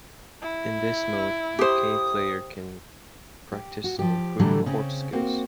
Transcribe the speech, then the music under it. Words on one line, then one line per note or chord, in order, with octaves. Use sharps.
In this mode the game player can practice and improve court skills.
E4
G4 C5 D#6
G4
F#4
F3 G4
A2 D3 E3 F#3 G3 A3
C#3 C4 C#4
A#3 C4 F#4